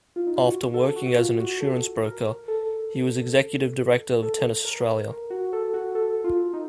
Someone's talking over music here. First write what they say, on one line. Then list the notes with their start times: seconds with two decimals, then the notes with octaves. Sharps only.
After working as an insurance broker, he was executive director of Tennis Australia.
0.16 F4
0.27 D#4
0.36 F4
0.45 F#4
0.74 A4
0.96 F#4
1.17 F4
1.40 F#4
1.61 A4
2.05 A#4
2.48 A4
4.22 A4
4.65 A#4
5.08 A#4
5.30 F#4
5.53 A4
5.74 F#4
5.95 A4
6.24 F4
6.53 D#4